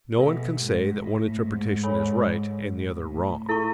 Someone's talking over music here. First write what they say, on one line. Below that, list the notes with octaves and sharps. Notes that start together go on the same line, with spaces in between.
No one can say that one interpretation is right and the other wrong.
B2 A4 E5 G#5
G#2
A2
G#2
A4 C#5 G#5 B5
A2
E4 A4 E5 A5 C#6